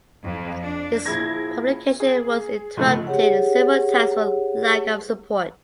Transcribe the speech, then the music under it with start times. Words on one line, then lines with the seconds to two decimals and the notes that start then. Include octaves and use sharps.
Its publication was interrupted several times for lack of support.
0.23 F2
0.61 D4
1.05 A#1 A#2 E4 G#4 G#6 A#6
2.00 G#4
2.77 G#2 C#3 F3 A3
3.07 G4 G#4 C#5 F#5